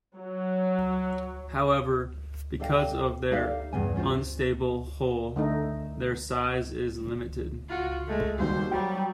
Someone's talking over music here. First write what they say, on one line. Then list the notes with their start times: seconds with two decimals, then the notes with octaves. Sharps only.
However, because of their unstable hull, their size is limited.
0.16 F#3
2.60 G4 A4 D#5 F5 G5
3.31 D#4 G4 A4 D5 E5 F5
3.73 E2 G2 C#3 B3 G#5
3.96 C#4 F4 F#4 C5
5.36 D3 A3 D#4
7.69 F4 F#4
8.08 G#3 A3 A4
8.38 D#2 G#2 B2 G3 C5
8.71 F#3 G3 G5